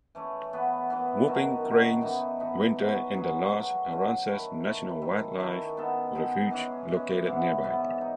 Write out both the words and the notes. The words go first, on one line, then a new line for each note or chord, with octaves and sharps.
Whooping cranes winter in the large Aransas National Wildlife Refuge located nearby.
E3 A3 C#4
E3 B3 F#4 B4
E3 B3 F#4 B4
F#2 D#3 A3
F#2 D#3 A3
A2 E3 B3 D#4
A2 E3 B3 D#4
F#3 C#4 G#4 B4
F#3 C#4 G#4 B4
C#3 F#3 A3 C#4
C#3 F#3 A3 C#4
D#3 A3 E4 B4
D#3 A3 E4 B4
D#3 A3 E4 G#4
D#3 A3 E4 G#4
G#3 B3 D#4 A4
G#3 B3 D#4 A4
E3 G#3 C#4
E3 G#3 C#4
G#2 E3 B3
G#2 E3 B3
D#4